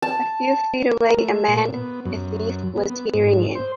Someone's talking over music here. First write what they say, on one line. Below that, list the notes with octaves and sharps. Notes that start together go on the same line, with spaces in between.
A few feet away a man, a thief, was peering in.
A5
A#4
A3
A#2
B3
F#2
B3
B3
G#2
C5